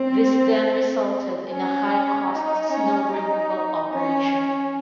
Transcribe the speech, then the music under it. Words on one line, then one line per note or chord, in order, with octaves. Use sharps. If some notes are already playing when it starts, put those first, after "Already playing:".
This then resulted in a high cost snow removal operation.
Already playing: C4
C#4
D#4
C#4
D#4
C#4